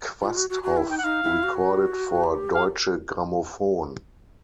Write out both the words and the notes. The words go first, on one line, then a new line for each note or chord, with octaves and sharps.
Quasthoff recorded for Deutsche Grammophon.
F4
F#4
F#4
F#4
E4
D#4 G5
F#5
D#4 F5
E4
F#4
G4
F5